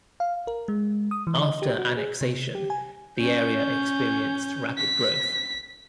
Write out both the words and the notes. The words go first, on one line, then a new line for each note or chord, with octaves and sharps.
After annexation, the area experienced rapid growth.
F5
A#4
G#3
D#6
E3
D#5
G4
F#4
G#4
C3
G4
G#5
C#4 G6
B6